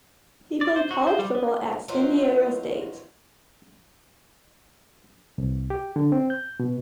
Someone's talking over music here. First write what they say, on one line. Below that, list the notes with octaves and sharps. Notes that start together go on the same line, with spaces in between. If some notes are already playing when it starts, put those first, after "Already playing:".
He played college football at San Diego State.
D5
C5
F#4
C5
G3
B3
E3 F#3 G#3 F4 C5
C2
G4
D3
C4
G6
B2